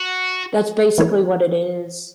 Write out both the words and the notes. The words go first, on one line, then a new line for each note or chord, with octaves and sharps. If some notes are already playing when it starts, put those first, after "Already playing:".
That's basically what it is.
Already playing: F#4
E3 A3 E4 A4 C#5